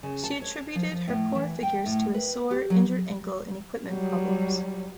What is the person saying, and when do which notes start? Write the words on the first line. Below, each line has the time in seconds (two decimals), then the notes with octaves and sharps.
She attributed her poor figures to a sore, injured ankle and equipment problems.
0.03 C#3
0.24 A5
0.42 C#5
0.75 F3
0.91 F3
1.08 A2
1.35 E3
1.63 G5
1.86 A2
2.14 B4
2.51 G4
2.70 F#3
3.88 F#3 G3